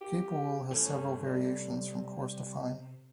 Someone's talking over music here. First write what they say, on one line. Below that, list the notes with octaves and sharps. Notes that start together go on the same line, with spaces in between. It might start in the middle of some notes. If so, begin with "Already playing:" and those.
Cape Wool has several variations from coarse to fine.
G4
G2 A3 C#4 C#5
C3 G3